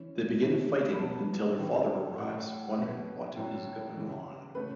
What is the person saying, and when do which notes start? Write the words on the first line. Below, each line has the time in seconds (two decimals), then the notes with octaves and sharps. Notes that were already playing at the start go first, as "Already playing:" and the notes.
They begin fighting until their father arrives wondering what is going on.
Already playing: E3 C#4
0.40 E3 A3 C#4
0.93 B5
1.00 B2 B3 A5
1.59 A2 E3 C#4
2.18 A2 A3 C#4 F#5
2.78 B2 B3
3.36 A2 F#3 C#4
3.96 C#3 E3 C#4
4.55 C#3 A3 C#4 B4